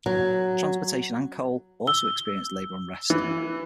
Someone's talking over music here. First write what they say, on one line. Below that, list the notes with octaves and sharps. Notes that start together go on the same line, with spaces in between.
Transportation and coal also experienced labor unrest.
F#3
E6 G7
E3